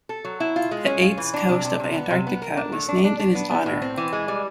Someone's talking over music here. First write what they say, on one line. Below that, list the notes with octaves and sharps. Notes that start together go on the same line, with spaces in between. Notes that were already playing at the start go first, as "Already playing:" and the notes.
The Eights Coast of Antarctica was named in his honor.
A4
F#3
E4
F4
G#3
C#4
F4
E3
D4
C3
C3
C3
B3
C3
B3
A#4
D4
A3
D4
D4
D4
B3
B3
A2
C4
E3
G#3
G3